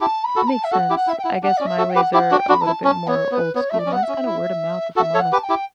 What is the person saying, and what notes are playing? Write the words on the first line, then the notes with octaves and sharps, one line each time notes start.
It makes sense. I guess my ways are a little bit more old school. Mine's kinda word of mouth, if I'm honest.
E4 G4 A5
B5
F#4 A4
A5
E5
F#4 A4 F#5
E4 G4
F#5
E4
E5
G5
E4 F#5
D4 F#5
C#4 D5
E5
F#4 A4
G5
G4 B4 F#5
E4 G4 F#5
D4 F#4
G5
D4 F#4 B5
A5
E4
C#4 A5
B3 C#5
B3 C#5
B4
B3 C#5
A3 E5
D5
C#4
B3 F#5
E5
C#4
E4
F#4 A4 F#5
E5
A4 C#5
F#5
G4 B4 A5
G5
E4 G4